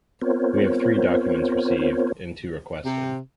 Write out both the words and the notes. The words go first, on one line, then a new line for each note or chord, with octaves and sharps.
We have three documents received and two requested.
B3 C4 F4 A#4 C5 C#5
C3